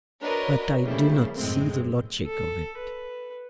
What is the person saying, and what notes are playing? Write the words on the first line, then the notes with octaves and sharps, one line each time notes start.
But I do not see the logic of it.
D4 F#4 A#4 B4 C#5 D#5
C#3 F3 G3 A3 A#3 E4
F#2 A2 G#3 C4
A4
B4